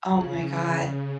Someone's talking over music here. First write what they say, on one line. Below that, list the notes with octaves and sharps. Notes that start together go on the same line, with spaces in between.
Oh my god.
C#3